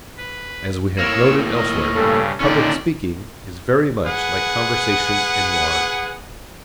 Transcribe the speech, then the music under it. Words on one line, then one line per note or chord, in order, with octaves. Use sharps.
As we have noted elsewhere, public speaking is very much like conversation enlarged.
B4
A2 A#3 C#5 E6
D#5
G2 C#3 A4
A#2 D3 D#3 C#4 D#4 D5
G#4 B4 F#5